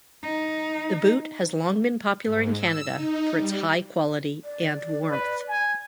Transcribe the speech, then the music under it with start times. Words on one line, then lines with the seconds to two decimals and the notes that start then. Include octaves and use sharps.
The boot has long been popular in Canada for its high quality and warmth.
0.23 D#4
2.24 G#2
2.57 E6
2.91 D#4
3.33 G3
4.45 D5
5.09 B4
5.48 G#5